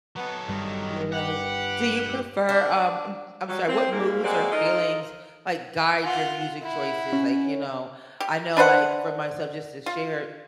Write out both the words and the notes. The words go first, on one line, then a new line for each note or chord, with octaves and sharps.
You know? Do you prefer, um I'm I'm sorry what moods or feelings, like, guide your music choices? Like, you know, I know, like, for myself, just to share
F#3 B3 A4
G1 G2 D#3 G3
G4 B4 F#5
D4
F#3 G3
C4
G#2 A#3
G#3 A#3 C4 F#4 G#4 D5
D#4 F4 A4 A#4 D#5
F4 F#5
E4 F#5
C#4
G4
D4 B4 C5 F#5
F4